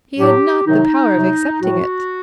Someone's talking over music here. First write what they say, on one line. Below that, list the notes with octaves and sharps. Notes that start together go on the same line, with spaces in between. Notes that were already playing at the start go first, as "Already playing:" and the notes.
He had not the power of accepting it.
A2 F#3 G4
C3 D#3 F#3 D#4
C3 F#3
A2 F#3 F#4